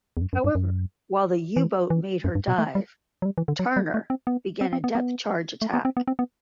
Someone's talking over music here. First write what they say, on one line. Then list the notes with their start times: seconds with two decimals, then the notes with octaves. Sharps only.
However, while the U-boat made her dive, "Turner" began a depth-charge attack.
0.17 E2
0.21 F#2
0.33 F#2
0.44 G2
0.55 F#2
1.56 E3
1.90 E3
2.24 F#2
2.35 G2
2.48 B2
2.58 A3
2.75 G3
3.22 F#3
3.25 G3
3.38 E3
3.48 D3
3.59 F#3
3.76 G3
3.94 A3
4.10 C4
4.27 B3
4.61 C4
4.73 C4
4.84 B3
4.95 B3
5.62 A3
5.74 B3
5.85 C4
5.97 B3
6.08 C4
6.19 B3